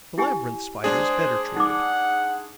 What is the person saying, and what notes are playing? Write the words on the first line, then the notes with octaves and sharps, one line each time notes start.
The Labyrinth Spider is better treated.
E4 G4 G#5
G#3 D4 G#4 C5
D#4 F#5 D6